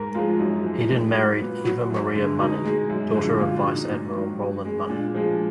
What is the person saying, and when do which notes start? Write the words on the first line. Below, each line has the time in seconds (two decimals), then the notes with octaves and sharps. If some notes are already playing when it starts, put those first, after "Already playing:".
Eden married Eva Maria Money, daughter of Vice-Admiral Rowland Money.
Already playing: G#2 A#4
0.14 F3 G#3 F4
0.39 F#2 D#4
0.64 F3 G#3
0.89 G#2
1.14 F#3
1.39 A#2 B3
1.64 F#3 F#4
1.90 F#2
2.14 D3 G#3
2.39 B2 D#4
2.65 G#3
2.90 F#2
3.14 D3 F3 G#3
3.39 A#2 F4
3.56 D4
3.64 F#3
3.73 D#4
3.89 G#2
4.15 D#3 F#3
4.39 B2
4.65 G#3
4.89 A#2 D4
5.14 F3 G#3